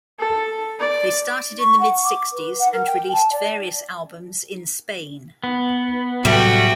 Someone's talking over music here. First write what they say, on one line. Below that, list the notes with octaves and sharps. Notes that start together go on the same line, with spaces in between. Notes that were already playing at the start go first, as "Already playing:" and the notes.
They started in the mid sixties and released various albums in Spain.
A4
D5
C#6
F#5
D6
B4
F#5
A#4
G5
A5
D5
B3
A2 C3 F#3 G3 A3 F#4 G5